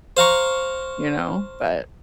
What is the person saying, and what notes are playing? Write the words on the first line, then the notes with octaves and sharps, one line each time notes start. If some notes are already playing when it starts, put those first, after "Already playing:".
You know, but
C5 F5 A#5 C#6